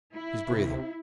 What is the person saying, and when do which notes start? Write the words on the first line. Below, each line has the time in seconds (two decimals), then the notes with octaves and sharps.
He's breathing.
0.15 E4
0.50 C3